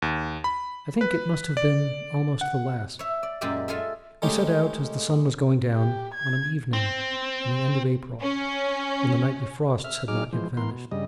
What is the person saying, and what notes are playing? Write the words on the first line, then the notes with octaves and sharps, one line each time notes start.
I think it must have been almost the last. We set out as the sun was going down on an evening in the end of April, when the nightly frosts had not yet vanished.
D#2
B5
B4
D5
F#5
C#5 E5
D5
F#2 A#2 G#3 G4 D5 E5
F4 G#4 A4 E5
G#3 A3 C#4 D#4 G4
G4
G#6
C4
C#4
E5 F6
F#3 D#4 G#4 D6 F6
E3 F3 G#3 C5
E3 B3 A#4 C6
B2
G2 C#3 G3 D#5